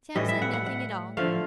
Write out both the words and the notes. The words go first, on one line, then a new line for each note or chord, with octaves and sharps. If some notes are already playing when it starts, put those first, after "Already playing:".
Sam said nothing at all.
A2 E3 G3 D#5
E5
F#5
F#5
F#5
D3 F3 A3 F5